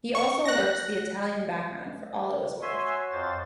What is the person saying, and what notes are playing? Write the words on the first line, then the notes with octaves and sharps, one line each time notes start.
He also worked the Italian background for all it was worth.
C#6
F#6 A#6
F#4 C#5 E5 G#5 C6
F2 C5 A6